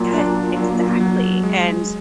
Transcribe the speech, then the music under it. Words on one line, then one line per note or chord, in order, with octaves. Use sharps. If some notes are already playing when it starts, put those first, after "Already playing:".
yes, exactly, and
Already playing: A#2 F#3
D4
F#3
F#3
G#3